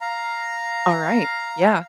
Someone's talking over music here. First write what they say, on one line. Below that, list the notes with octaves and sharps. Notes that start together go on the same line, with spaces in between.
Alright, yeah.
F5 A#5